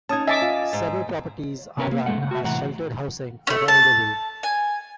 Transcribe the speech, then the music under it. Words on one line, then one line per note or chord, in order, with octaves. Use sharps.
Several properties are run as sheltered housing for the elderly.
C#4 D#4 A5 D#6 G#6
D#5 E5 G#5 A5 D6
F4
G#2
C3 B3 C#4 A#4 B4 C#5
A#3
G2 A#2 G#3 A3 F#5
C#3
F#4 E5
A2 C3 E3 F#5 A#5
A3 C#4
A5
G#5